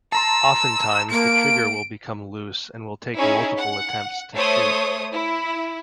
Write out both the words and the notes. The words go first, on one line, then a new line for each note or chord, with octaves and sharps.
Oftentimes the trigger will become loose and will take multiple attempts to shoot.
A5 A#5 C6 E6
A#3 D7
C#4 D#4 E4 G#4 C#5
F#5
A3 C5 C#5 D#6
E4